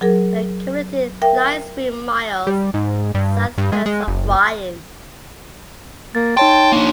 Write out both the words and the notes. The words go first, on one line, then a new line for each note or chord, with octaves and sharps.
The community lies three miles southwest of Ryan.
F#3 G#4 A#4
A#4 E5 G5
G3
G#2
G2
G2
G#3
G#3
F#1
A#3 A6
D#4 C#5 G5 A5 C6
A#3 D4